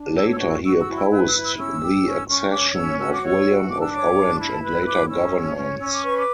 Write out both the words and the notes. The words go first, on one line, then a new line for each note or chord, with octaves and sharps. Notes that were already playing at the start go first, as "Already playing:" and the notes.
Later he opposed the accession of William of Orange and later governments.
Already playing: D4
C#5 E6
E6
F#4
E6
F#4 E6
E6
E4
E6
B4 E6
E6
E4
E6
C#4 E6
G4
C#4
C#4 C#6
C#5 D6
D6
C#4 E6
F#4 E6
D6
C#5 E6
F#4
D4 D6
E6
C#5 D6
D4
C#6
E4 B5
A5
B4 B5
E6
E4 D6
C#4 E6
C#5
C#4
C#4 E6
D6
B4 C#6
D6